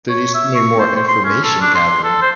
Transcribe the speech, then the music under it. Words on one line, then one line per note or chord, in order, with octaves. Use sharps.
Did you send me more information gathering.
C#5
E5
C#6
C5
C5
C6
C#4
A4
D4
C6
A4
C5